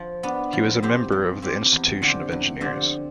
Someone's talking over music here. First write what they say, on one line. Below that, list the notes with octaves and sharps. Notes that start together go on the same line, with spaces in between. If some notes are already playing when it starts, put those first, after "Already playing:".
He was a member of the Institution of Engineers.
Already playing: F3
B3 D4
F3
C4 G4 C5
F3
C4 G4 C5
E2
D3 F3 C4 G4
E2
D3 F3 C4 G4